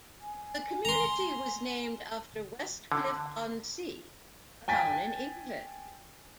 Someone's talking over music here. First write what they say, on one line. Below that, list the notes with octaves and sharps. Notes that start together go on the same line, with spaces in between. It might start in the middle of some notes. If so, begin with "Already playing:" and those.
The community was named after Westcliff-on-Sea, a town in England.
G#5
A#5 C6
D3
G5 G#5 A6 B6